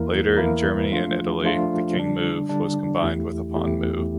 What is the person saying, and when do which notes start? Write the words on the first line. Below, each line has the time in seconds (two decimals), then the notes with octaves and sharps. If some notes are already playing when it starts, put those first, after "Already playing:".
Later in Germany and Italy, the king move was combined with a pawn move.
Already playing: E2 E3 A#3 E4 A#4
0.37 E2 E3 A#3 E4 A#4
0.91 F3 A3 D4 F4
1.43 F3 A3 D4 F4
1.96 D3 G3 D4
2.49 D3 G3 D4
3.02 E2 E3 A3 E4 G4
3.56 E2 E3 A3 E4 G4